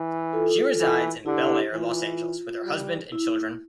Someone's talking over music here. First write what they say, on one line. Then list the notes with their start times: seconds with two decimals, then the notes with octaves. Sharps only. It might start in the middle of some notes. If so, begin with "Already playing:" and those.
She resides in Bel Air, Los Angeles, with her husband and children.
Already playing: E3
0.33 F4 A4
0.80 E3
1.26 D3 E4 G4
1.73 E3 F4
2.65 G3
3.12 E4